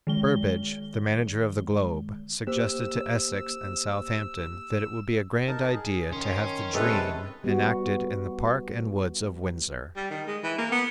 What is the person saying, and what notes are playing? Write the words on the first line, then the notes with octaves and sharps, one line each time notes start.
Burbage, the manager of the Globe, suggested to Essex and Southampton that it would be a grand idea to have the "Dream" enacted in the park and woods of Windsor!
D#3 G#3 G7
A#3 G4 C5 E6
D#4 A#4 A5
G#4
D#3 C#4 C6
C3 G#3 A4 B4 C#5
G3 B3 F#4
G3
D#3
G#3
E3
A#3
B3